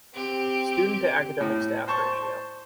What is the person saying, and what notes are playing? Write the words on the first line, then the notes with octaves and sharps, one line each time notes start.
Student to academic staff ratio.
C4 G4
A2
C5 A5 C#6